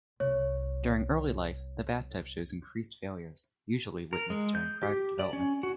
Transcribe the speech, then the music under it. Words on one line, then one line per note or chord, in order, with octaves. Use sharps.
During early life, the bathtub shows increased failures, usually witnessed during product development.
C2 C#5
A#4
G#3
G6
G4
D5
C#4
F#4